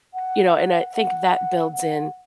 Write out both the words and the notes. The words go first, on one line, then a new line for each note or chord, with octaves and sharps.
you know, and I think that builds in
F#5
F#5
F#5